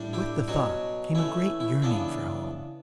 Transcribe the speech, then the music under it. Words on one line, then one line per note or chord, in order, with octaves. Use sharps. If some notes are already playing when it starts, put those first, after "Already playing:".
With the thought came a great yearning for home.
Already playing: A2 G3 D4
E4 G4
B2 F#3 C#4 F#4
E3 A3 C#4 E4
E4
C#3 E3 B3 D4 E4